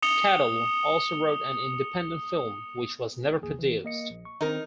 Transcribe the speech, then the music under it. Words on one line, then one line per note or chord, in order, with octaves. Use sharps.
Cadell also wrote an independent film, which was never produced.
D#6 C#7 F7 G7
A1 D#2 G#4
E3
A#3 D#5 C#7
A#1
C#6
D#3 C4 D#4 A#4